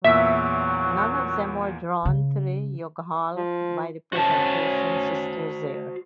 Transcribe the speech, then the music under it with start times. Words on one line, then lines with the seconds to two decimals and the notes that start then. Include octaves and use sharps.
None of them were drawn in youghal by the Presentation sisters there.
0.04 E2 A#2 F#3 E5
2.05 C#3
3.36 F3
4.13 C#4 F#4 C5 A5